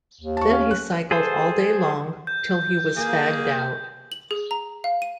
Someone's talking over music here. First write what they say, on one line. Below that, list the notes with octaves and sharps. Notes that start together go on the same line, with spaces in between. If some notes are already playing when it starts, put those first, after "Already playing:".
Then he cycled all day long, till he was fagged out.
D#2
A5 C#6
C#4 F5
F#6
G#4 A4 C5
G6
A#3 G#4
F#7
G#4
A#5
F5
D#7